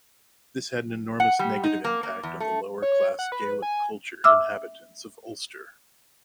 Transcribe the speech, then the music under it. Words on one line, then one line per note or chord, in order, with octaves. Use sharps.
This had an enormous negative impact on the lower class Gaelic-culture inhabitants of Ulster.
F#5
G3
D#4
A#3
A#3
E2
A3
C#5
F#5
B4
G#5
E5 D6 E6 F6